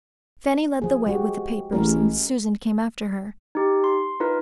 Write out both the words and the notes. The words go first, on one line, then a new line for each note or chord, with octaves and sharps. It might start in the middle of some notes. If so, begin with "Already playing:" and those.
Fanny led the way with the papers, and Susan came after her.
F3 G#4
G#3 F#4 G4
A1 G#3 C#4 A#4
D#4 G4
C6
D#4 F4 A#4 B4